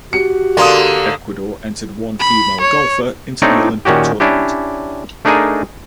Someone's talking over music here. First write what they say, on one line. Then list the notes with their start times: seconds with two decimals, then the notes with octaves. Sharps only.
Ecuador entered one female golfer into the Olympic tournament.
0.13 F#4 G4 C#7
0.57 D3 A#3 D5 C6 D#6
2.20 B5
2.61 C#5
3.42 A3 C4 D4 D#4 C#5 D5
3.85 A#2 D#3 C#4 F#4 G4
4.20 C#4 D4 E4 G4
5.25 A3 D4 D#4 G#4 A#4 G#5